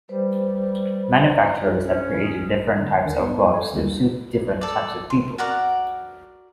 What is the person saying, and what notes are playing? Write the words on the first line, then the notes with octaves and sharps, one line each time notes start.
Manufacturers have created different types of gloves to suit different types of people.
G3 B4 C5
D4 E4 G#4
C#4 C5
D#6
D3 A#3
D#2 D3 A#4
B3
A4 G#5
D#2 D3 G3 G#3 A#3
A4 D5
C6
F#4 A#4 D5 F#5